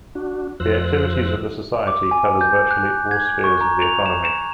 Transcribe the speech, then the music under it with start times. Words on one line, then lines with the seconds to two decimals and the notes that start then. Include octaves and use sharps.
The activities of the society covers virtually all spheres of the economy.
0.15 D4 F#4
0.60 F2 F3 C5 E6 F#6 A#6
1.87 D6
2.11 G#5
2.41 G6
2.71 F#6
3.11 G#6
3.44 C#6
3.61 A#5
3.82 F7
4.06 E7
4.25 E7